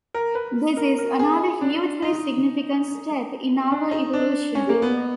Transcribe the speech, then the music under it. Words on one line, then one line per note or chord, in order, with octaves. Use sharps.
This is another hugely significant step in our evolution.
A#4
B4
A#4
A#4
G#4
D4
D#4
D4
D#4
D4
C#4
A#3
B3